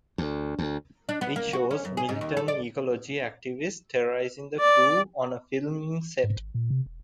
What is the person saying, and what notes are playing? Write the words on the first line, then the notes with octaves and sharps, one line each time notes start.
It shows militant ecologic activists terrorizing the crew on a filming set.
D2
D2
D4
B3
A#3
F#4
C#4
F#2
G#4
G#2
D#2
A4
D5
D5
G#2
G#1
A#2
C3
E1